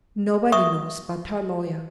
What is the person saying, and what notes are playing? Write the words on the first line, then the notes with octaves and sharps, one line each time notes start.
"Nobody knows but her lawyer."
E5 C#6 D#6